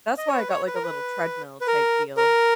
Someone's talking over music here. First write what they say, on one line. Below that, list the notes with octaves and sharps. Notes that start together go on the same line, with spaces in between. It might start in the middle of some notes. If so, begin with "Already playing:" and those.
that's why I got, like, a little treadmill type deal.
D#5
C#5
B4
C#5
B4
A#4
B4
B4
A#4
A#4